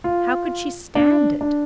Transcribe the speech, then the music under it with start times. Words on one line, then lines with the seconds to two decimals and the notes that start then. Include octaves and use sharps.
How could she stand it?
0.04 F4
0.95 D4
1.41 D4